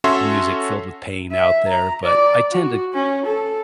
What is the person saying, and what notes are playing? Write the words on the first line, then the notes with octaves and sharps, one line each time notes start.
music filled with pain out there, but I tend to
C#4 F#4 A4 C#5 E5 C6
E5
A#5
D5
F#4
C#4
A4